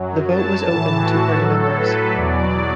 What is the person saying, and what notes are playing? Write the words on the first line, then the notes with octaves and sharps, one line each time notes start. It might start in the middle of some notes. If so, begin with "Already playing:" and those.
The vote was open to party members.
Already playing: F#2 F#3
A5
A2 E3
F#4
A2 F#3 A4
B4
E2 B2 F#3 D5